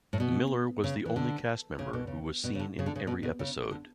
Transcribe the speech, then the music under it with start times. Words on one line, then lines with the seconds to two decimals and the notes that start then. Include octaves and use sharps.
Miller was the only cast member who was seen in every episode.
0.13 A2
0.20 B2
0.84 C#3
1.06 E3
1.16 D3
1.79 C#3
1.93 B2
2.07 C#3
2.44 B2
2.55 C#3
2.59 D3
2.79 C#3
2.86 D3
2.96 C#3
3.07 B2
3.23 B2
3.39 C#3
3.71 D3